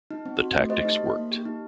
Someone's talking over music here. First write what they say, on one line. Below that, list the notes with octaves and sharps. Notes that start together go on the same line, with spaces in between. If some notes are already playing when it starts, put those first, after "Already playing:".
The tactics worked.
D#4
C4
F#4
A3
G4 C5 D#5
D#4
A#3
A#3
G4
D#4